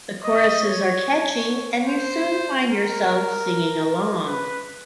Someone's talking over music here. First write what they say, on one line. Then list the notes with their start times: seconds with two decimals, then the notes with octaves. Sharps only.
The choruses are catchy and you soon find yourself singing along.
0.24 D#5
0.64 C#5
1.84 C5
2.64 A#4
4.25 B4